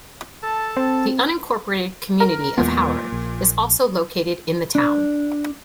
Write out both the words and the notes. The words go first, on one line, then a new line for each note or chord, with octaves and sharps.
The unincorporated community of Hauer is also located in the town.
A4 A5
C4
A#4
E2 A#2 G#3 B3
A#1
D4